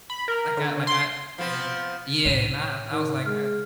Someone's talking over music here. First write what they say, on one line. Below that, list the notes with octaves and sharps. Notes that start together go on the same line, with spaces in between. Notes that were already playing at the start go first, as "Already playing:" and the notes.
like I like I barely Yeah, and I I was, like, I
B5
A#4
D3
C6
F3 B3 C4
A2 D#4 C#5 D#7 F7
D#3
G#3 F6